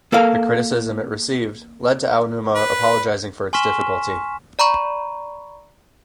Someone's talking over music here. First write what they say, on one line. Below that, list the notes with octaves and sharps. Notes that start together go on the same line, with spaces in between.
The criticism it received lead to Aonuma apologizing for its difficulty.
A#3 A4 A#4 F5
B4
G#5 C6 C#6 F6 B6 E7
D5 A#5 B5 C#6